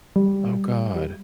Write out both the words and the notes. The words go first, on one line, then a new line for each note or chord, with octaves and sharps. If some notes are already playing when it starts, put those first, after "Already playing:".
Oh god.
G3
G3